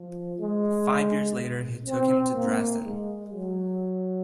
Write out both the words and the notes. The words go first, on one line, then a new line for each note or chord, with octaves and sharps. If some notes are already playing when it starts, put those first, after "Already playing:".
Five years later he took him to Dresden.
Already playing: F3
G#3
C4
A#3
G#3
F#3